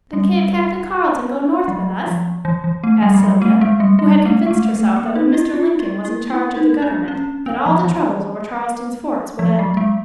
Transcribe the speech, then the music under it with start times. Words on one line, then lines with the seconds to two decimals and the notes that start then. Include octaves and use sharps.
"Then can't Captain Carleton go north with us?" asked Sylvia, who had convinced herself that when Mr. Lincoln was in charge of the Government that all the troubles over Charleston's forts would end.
0.13 G3
1.68 F#3
2.07 F3
2.45 E3
2.64 E3
2.84 A3
3.02 G3
3.14 F#3
3.23 G3
3.42 A3
3.61 G#3
3.80 G3
3.99 G3
4.25 A3
4.46 G#3
4.51 A3
4.76 A3
4.96 A#3
5.15 D#4
5.34 E4
5.54 F4
5.80 E4
6.05 E4
6.30 E4
6.57 D#4
6.82 D4
7.08 C#4
7.46 B3
7.66 F3
7.84 E3
9.39 F3
9.59 F#3
9.77 G#3